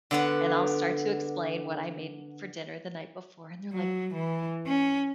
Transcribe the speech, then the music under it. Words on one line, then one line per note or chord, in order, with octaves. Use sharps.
and I'll start to explain what I made for dinner the night before, and they're like,
D3 B3 F#5
F#3
E3
C#4